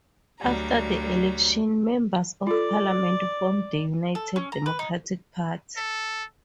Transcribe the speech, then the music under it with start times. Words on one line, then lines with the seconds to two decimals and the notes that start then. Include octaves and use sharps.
After the election members of parliament formed the United Democratic Party.
0.40 D2 F#3 G3 A#5
2.47 F4 A4 D5
4.15 A4
4.36 C#4
4.52 A#5
4.66 B4
4.79 D#4
5.77 A4